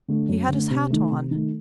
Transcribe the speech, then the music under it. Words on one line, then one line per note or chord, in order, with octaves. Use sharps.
He had his hat on.
D3 A3
F#2
D3 A3
C3
D#3 A3
C3
D#3 A3